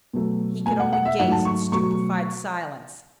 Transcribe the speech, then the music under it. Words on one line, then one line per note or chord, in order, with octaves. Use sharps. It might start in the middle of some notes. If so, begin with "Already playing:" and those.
He could only gaze in stupified silence.
B2 F#3 A3
B2 A3 G#5
F#5
F#5
E5
G#2 F#3 A3 F#5
A5
C#6
B2 F#3 A3 C#6